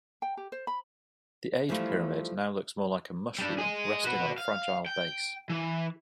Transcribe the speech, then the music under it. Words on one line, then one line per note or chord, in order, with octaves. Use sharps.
The age pyramid now looks more like a 'mushroom' resting on a fragile base.
G5
G4
C5
B5
E3 F3 G3 A3 E4 F4
G3 D4
G#4 D#5
F#4 B4
F5
G5
E3